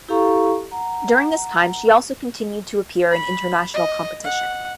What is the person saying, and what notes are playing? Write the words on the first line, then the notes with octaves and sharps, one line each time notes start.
During this time, she also continued to appear in international competition.
E4 G4 A4 F5 A#5 C#6
F#5 A#5
B5
D#5
F#5